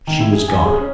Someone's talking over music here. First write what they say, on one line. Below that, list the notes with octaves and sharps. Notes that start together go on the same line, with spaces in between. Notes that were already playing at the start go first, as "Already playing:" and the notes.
She was gone....
D#3
E4
G#4
G#5
G#4
C#4